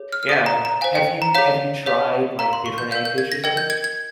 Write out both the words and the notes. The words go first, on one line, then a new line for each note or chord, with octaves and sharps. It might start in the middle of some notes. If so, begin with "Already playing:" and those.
Yeah. Have you have you tried, like, different egg dishes, any?
Already playing: G#4 C#5
F6
F6
C5 F5 D#6
A#5
A#5
C5 F5 G#5
G5
A#5
G#4 C#5 F5 A#5
G#4 C#5 F5
A#4 F5 A#5
C6
C#6
G6
A#4 F5 G6
G6
G#6
A#6
A#4 D#5 G5 G#6
G6
G#6
G#6